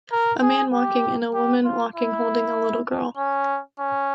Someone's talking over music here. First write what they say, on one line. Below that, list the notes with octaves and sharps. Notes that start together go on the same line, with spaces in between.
A man walking and a woman walking holding a little girl.
A#4
G#4
G4
G4
F4
E4
C#4
C#4